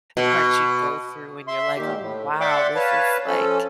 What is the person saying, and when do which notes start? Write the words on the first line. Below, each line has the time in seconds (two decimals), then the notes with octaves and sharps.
parts you'd go through, and you're like, "Oh, wow, this is, like,
0.17 B2
1.48 E5 C6
1.77 A#2 D#3 G4
2.00 A2
2.41 D5 E5 F#5 G5 C6 D6
2.75 B4 C#5 F5 A5
3.27 F3 C#4 A4